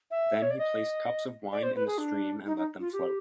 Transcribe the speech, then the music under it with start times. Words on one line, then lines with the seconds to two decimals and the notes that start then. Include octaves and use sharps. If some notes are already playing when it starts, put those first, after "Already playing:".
Then he placed cups of wine in the stream, and let them float.
0.11 E5
0.42 C#5
0.51 D5
0.59 D#5
1.52 D5
1.63 C5
1.75 B4
1.87 G#4
1.98 D4
2.46 D#4
2.57 D#4
2.80 F4
2.93 G4